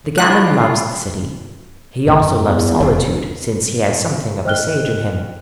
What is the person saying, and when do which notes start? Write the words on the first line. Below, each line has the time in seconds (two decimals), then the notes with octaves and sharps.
The gamin loves the city, he also loves solitude, since he has something of the sage in him.
0.18 G3 G#3 A#3 D4 E4 F4 F#6
2.07 A1 A2 D3
2.19 F#2
2.40 E2
2.80 F1
4.45 C5 D#5 G5 F6 F#6 G7